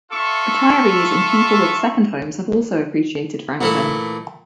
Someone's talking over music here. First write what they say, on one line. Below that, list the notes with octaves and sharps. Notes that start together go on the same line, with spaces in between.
Retirees and people with second homes have also appreciated Franklin.
F4 A4 E5 C#6
A#2 E3 A3